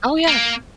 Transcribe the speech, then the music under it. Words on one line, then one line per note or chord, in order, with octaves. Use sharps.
Oh, yeah.
A#3